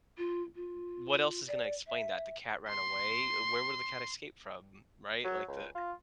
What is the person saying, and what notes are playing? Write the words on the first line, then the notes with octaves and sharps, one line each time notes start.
wh what else is gonna explain that? The cat ran away? Where would the cat escape from? M Right? Like, the
F4
F4
D5
E5
C6
F#3
C#2
F4